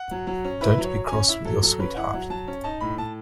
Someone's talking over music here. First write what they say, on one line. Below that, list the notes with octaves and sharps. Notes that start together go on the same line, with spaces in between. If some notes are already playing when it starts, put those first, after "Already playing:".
Don't be cross with your sweetheart.
Already playing: F#5
F#3
F#3
C#4
E4 B4
F#3
C#5
F#3
C#4 G#5
E4 E5
F#3 A4
F#3 A4
C#4 B4
E4 F#5
F#3
F#3 A5
C#4
D#4 A5
A2 B5
A2 A5